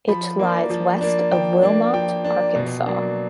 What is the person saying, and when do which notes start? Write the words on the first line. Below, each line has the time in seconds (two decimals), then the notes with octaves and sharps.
It lies west of Wilmot, Arkansas.
0.08 F3 B5
0.39 A#3 D4
0.70 F3
1.01 A#3 D4
1.32 F3 G5
1.62 A#3 D4
1.94 F3 G5
2.25 A#3 D4
2.55 B2
2.86 F#3 A#3 D4